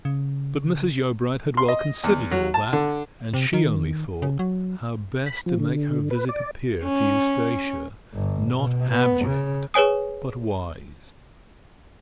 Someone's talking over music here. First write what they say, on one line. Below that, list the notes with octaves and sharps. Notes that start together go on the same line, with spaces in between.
But Mrs. Yeobright had well considered all that, and she only thought how best to make her visit appear to Eustacia not abject but wise.
C#3
C6
D#5
E2
F#3
A5
D3
C3
D#3
C#3
F#3
B5
F3
D3
B4
D5
C#4
G1
B2
B3
C#3
G#4 B4 C#5 G#5 D#6